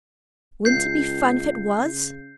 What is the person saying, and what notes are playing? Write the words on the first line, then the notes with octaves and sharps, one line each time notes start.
Wouldn't it be fun if it was?
C#2 G6 C7
C#3